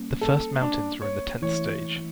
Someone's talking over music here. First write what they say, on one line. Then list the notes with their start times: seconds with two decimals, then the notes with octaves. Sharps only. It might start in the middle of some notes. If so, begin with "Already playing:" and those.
The first mountains were in the tenth stage.
Already playing: G3 A#3 C#4
0.21 A4
0.61 D4
1.02 C#5
1.42 E3 A3 E4 C#5